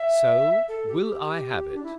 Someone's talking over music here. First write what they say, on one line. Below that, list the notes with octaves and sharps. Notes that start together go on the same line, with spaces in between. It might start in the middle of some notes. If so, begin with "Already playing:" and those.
So will I have it.
Already playing: E5
A4
G4
D4
E4